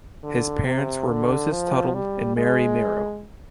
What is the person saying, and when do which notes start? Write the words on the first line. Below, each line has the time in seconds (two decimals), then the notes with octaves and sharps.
His parents were Moses Tuttle and Mary Merrow.
0.24 D3
0.65 C3
1.09 D3
1.52 F3
1.94 G3
2.37 G#3